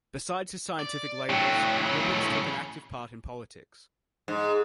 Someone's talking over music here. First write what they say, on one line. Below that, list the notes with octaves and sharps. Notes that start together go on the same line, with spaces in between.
Besides his scientific labours, Robins took an active part in politics.
D5
A2 D3 F#3 G4
E2 C#3
G#2